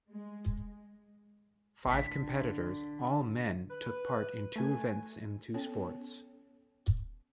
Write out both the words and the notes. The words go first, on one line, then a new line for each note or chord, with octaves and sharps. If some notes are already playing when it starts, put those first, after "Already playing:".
Five competitors, all men, took part in two events in two sports.
G#3
A1 D3 B6
B4
A3 G#5
B3 C#4 A4 C#5